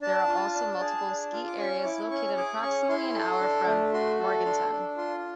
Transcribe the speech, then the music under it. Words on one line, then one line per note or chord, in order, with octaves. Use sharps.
There are also multiple ski areas located approximately an hour from Morganton.
D4 A5
F4
D4
G#4
D4
F4
D6
C#4 C#6
E4 D6
C#4 C#6
G#4 D6
C#4 C#6
E4 C6
A4
D4
A3
F#4 C6
A4
D4 C6
D4
F4 C6